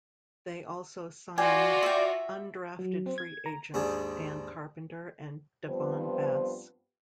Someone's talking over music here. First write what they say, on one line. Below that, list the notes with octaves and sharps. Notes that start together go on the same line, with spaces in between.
They also signed undrafted free agents Dan Carpenter and Davone Bess.
F4 F#4 D5 G5 G#5
E5 G5
F#3
C4
G#6
A#5
D#2 G#2 D4 G#4
G2 F3 B3 C4 F4 C5